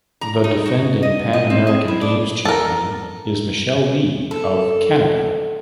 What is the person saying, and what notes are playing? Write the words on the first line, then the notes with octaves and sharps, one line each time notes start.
The defending Pan American Games champion is Michelle Li of Canada.
A#5
D#4
F#4
D#5
D#5
C4
G#4
E4
D4
A4 A#4
A4